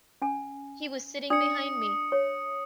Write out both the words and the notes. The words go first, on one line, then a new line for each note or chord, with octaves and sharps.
He was sitting behind me.
C#4 G#5
D4 D5 D#6 C#7
C#5